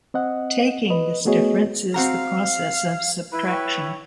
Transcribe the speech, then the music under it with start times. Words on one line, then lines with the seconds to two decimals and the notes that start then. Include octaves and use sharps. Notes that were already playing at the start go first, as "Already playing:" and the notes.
Taking this difference is the process of subtraction.
0.14 C4 D#5 F#5
0.90 B4 D#5
1.25 A3 B3 F#4 G#4 C#5 D#5
1.94 C4 F#4 F5 A#5
3.32 E4 B4
3.47 B4 C#5 G5 C#6